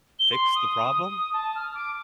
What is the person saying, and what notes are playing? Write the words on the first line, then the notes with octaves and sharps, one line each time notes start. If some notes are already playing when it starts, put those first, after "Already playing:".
Fix the problem?
G7
C6
D#6
A5
F6
D6